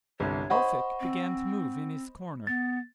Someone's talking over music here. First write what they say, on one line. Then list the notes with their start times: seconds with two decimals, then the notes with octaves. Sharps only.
Elphick began to move in his corner.
0.20 G1 C2 C#5
0.50 C5 D#5 F#5 B5 C#6
1.00 C4
2.47 B3 A6